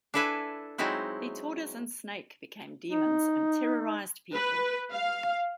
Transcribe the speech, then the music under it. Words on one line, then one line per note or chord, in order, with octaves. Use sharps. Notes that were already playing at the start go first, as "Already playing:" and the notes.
The tortoise and snake became demons and terrorized people.
D4 E4 A4 B4 E5 G#5
F#3 G#3 C4 D#4 E4 F#4
D#4
B4
F5